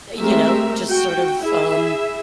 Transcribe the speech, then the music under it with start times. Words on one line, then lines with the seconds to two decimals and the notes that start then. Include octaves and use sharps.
Eh, you know, just, sort of, um
0.20 G#3 A3 C4 G4 A#4 E5
0.87 F#4 G5
1.42 E4 G#4 E5